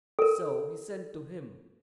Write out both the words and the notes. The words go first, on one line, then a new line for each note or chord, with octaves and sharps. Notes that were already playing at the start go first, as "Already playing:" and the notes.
So he sent to him.
A4 A#4